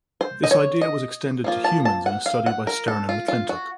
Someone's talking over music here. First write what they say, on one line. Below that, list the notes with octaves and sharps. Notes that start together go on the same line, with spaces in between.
This idea was extended to humans in a study by Stern and McClintock.
C5
D#5
C#5
D#5
F3 A#3 F4
A5
A5
F#5
F5
F#5
A#4
A4
F4
F4
F#4